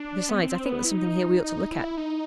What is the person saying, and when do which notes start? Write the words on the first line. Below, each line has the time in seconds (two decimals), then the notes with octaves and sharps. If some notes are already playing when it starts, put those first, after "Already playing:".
Besides I think there's something here we ought to look at.
Already playing: D4
0.29 B3
0.39 C4
0.65 B3
0.84 E4
0.91 D#4
1.44 D#4
1.71 E4
1.97 D#4